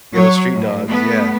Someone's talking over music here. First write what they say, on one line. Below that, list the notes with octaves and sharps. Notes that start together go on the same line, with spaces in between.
Yeah, those street dogs, yeah.
F#3 C#5
A2
A3 B3